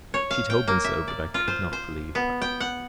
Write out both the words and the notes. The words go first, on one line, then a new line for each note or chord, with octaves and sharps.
She told me so, but I could not believe her.
C#5
F5
G5
A#3
E5
D5
F4
C5
C5
B3
G5
F#5